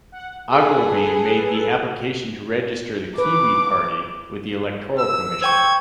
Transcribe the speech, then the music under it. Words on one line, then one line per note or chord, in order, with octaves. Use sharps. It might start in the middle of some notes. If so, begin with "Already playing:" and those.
Ogilvy made the application to register the Kiwi Party with the Electoral Commission.
F#5
G#4 A4 B4
B4 D6
E6
C5 G5 C#6 G#6